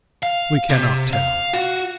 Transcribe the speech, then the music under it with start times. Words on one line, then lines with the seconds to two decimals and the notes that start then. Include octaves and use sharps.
We cannot tell.
0.23 F5
0.70 C3
1.13 F5
1.54 F#4